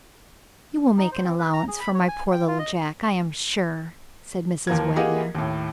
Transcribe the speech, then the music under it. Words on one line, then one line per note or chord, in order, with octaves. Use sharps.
"You will make allowances for my poor little Jack, I am sure," said Mrs. Wagner.
D#4
C5
C4
B4
A#5
G#4
B5
C#5
G#5
G5
F4
D#5
D#2 F3 A#3 A#4 G#6
A#3 F4 G4 G#4 D#5 F#5
D#2 A2